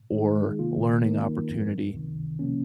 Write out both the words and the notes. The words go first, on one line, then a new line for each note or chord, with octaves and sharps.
or learning opportunity
D#3 G#3 D#4 G#4
C3 D#3 A#3 F4
D#3 A#3 D#4 A#4
F#2 F3 C4
C#2 C3 D#3
C3 F3 A#3 C#4